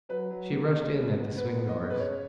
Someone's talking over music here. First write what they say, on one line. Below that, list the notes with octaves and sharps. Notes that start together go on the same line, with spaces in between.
She rushed in at the swing doors.
F#3 B4
F#3
A#3
C#3
G#3
B3
B3 B4
B3
D#5
C#3
B4
C#3 C#5